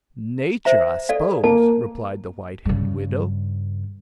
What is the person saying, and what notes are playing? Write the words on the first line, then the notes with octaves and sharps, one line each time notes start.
"Nature, I s'pose!" replied the white-haired widow.
C5 E5 A#5
A4 D5 F5
A#3 A5
G2 C#3